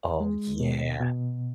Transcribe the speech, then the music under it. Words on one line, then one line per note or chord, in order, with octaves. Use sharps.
Oh, yeah.
G#3
B2
B2